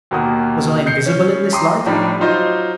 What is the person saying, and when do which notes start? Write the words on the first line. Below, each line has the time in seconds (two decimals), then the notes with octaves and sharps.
Was I invisible in this light?
0.11 D#2 B2 A#3 F#4 D#6
0.86 G6 C7 C#7
1.06 C#4
1.52 G5 A#5 C6 D6 D#6 C7
1.86 A2 F3 G3 D4 D#4 F4
2.20 F#3 D#4 F4 C5 D#5